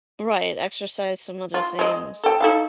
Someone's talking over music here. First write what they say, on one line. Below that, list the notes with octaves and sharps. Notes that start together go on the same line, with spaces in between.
Right, exercise some other things.
F4
G#3 D#5
A4 G5
D#4 A4 F5